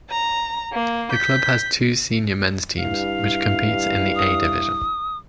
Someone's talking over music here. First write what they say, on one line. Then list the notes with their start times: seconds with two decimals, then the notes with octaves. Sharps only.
The club has two senior men's teams which competes in the A division.
0.10 A#5
0.72 A#3
1.12 G6 B6
2.78 G2 E4 F5
4.16 D#6